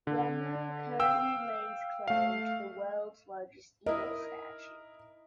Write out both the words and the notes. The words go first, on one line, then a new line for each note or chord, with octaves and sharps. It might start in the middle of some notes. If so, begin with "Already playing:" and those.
Remer currently lays claim to the World's Largest Eagle statue.
D3
F5 G5 E6
A3 F5
E4 A#4 D#5